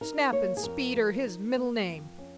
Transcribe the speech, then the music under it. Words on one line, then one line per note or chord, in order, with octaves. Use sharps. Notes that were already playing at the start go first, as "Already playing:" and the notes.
Snap and speed are his middle name!
D#4 A#4
A#3 C#5
G#4
F2 A#4
F3
D#4
A#3
F2
C#4